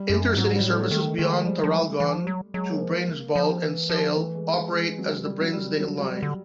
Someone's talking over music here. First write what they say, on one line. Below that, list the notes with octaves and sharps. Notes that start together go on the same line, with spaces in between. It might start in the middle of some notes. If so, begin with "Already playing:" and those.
Intercity services beyond Traralgon to Bairnsdale and Sale operate as the Bairnsdale Line.
Already playing: G3
F#2
G#2 F#3
G3
A2
A3
D#3 A3
D#3 G#3
F3 G3
F3
E3
F3
F#3
F#3 G#3
A#3
F3
A#3
F3
E3
F3
E3 A3
G#3
G#3
G#3
F#3
D#3 G3
F#3
G3
F#3
G3
G3
D3